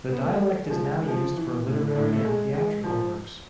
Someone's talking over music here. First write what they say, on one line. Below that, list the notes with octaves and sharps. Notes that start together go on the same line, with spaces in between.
The dialect is now used for literary and theatrical works.
B3
A3
G#3
F3
G#3
G#3
F3
E3
A2
A2
A3
G#3
G#3
F3